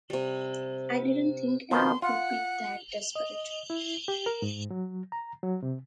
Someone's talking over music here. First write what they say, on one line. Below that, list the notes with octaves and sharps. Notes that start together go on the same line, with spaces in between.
I didn't think anyone would be that desperate.
C3 G3
B2 D#3 F3 C6
F4 F#5
D#5
E4
G4
A#4
G#2
F#3
A#5
F#3
C3